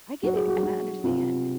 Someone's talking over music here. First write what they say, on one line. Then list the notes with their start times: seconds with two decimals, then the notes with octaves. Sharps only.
I get it, and I understand.
0.23 F#3 F#4
0.35 G#4
0.47 F#4
0.56 G#4
0.63 F#3 F#4
1.04 C3 F4